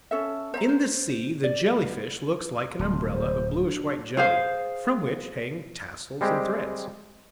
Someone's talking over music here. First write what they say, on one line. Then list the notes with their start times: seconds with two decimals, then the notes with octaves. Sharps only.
In the sea the Jelly-fish looks like an umbrella of bluish-white jelly, from which hang tassels and threads.
0.11 C#4 A4 E5
0.54 C5 E5 A#5
0.69 C5
1.44 D5
2.79 D1 C6
3.13 C5
3.62 D4
4.17 G#4 C5 F5
6.21 G3 G#3 C4 G4